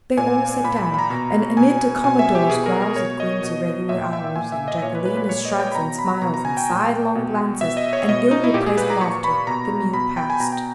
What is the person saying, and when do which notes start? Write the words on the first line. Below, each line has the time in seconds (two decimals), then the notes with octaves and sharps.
They all sat down, and amid the commodore's growls at Grim's irregular hours, and Jacquelina's shrugs and smiles and sidelong glances and ill-repressed laughter, the meal passed.
0.17 A#2 G#5
0.64 A#2 B5
0.76 B5
0.94 B5
0.99 A#5
1.10 B2
1.57 B2 G#5
2.04 B2 G#5
2.19 E5
2.35 G4
2.50 B2 G#4
2.66 A#4
2.82 A#4
2.96 B2 C#5
3.20 D#5
3.43 B2
3.89 A#2 E5
4.01 G5
4.13 E5
4.24 E5
4.36 A#2 G#5
4.52 E5
4.68 D#5
4.82 A#2 C#5
4.95 B4
5.05 B4
5.17 B4
5.29 A#2 C#5
5.45 D#5
5.60 G5
5.72 B5
5.75 B2 A#5
5.99 B5
6.22 B2 A#5
6.34 A#5
6.45 G#5
6.57 G5
6.69 A#2
7.15 B2
7.61 B2 E5
7.77 D#5
7.93 C#5
8.09 B2 D#5
8.31 D#4
8.44 E4
8.54 A#2 G4
8.66 G#4
8.78 B4
8.90 A#5
9.01 A#2 C#6
9.24 B5
9.47 B2 A#5
9.94 B2 B5
10.17 G5
10.30 G#5
10.40 B2 A#5
10.52 G5